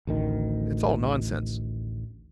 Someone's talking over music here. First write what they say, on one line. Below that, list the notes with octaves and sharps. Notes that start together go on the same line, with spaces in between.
It's all nonsense...
A1 D2 D#3